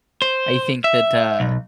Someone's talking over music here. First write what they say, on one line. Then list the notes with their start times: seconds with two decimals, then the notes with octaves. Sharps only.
I think that, uh,
0.22 C5
0.84 E5
1.40 B1